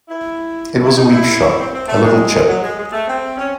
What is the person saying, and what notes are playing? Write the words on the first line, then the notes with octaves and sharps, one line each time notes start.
It was a weak shot, a little chip.
E4
E4
D#4
E4
C4
C4
A3
G#3
F#3
G#3
G#3
A3
C4
C#4